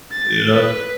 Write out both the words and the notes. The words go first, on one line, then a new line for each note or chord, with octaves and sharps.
You know?
A6
B4